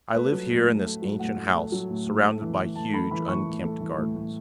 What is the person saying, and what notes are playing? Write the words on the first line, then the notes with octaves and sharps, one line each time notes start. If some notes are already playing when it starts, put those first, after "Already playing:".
I live here in this ancient house, surrounded by huge, unkempt gardens.
A3 B4
F#3
A2
A2
A3
F#3
A2 F#5
A2
A3
F#3
A2
A2
A3
E3
A2
A2 A5
A3 B5
E3 B5
A2 C#6
A2
A3
E3
A2
A2